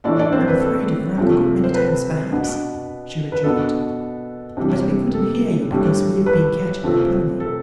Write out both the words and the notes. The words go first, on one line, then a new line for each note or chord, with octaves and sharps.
'I'm afraid you've rung a good many times perhaps,' she rejoined, 'but we couldn't hear you, because we've been catching the pony.'
A2 E3 A3 D4 D5
D4 D5
C4 C5
B4
A4
C3 F3 A3
C5
B4
B2 B3 D4
B4
B2 B3 D4 A4
C3 E3 G3 D4
A4
A2 G3 D4
B4
C3 F3 A3 C4
A4